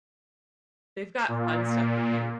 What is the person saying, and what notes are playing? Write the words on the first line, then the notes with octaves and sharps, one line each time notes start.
They've got fun stuff for kid
A#2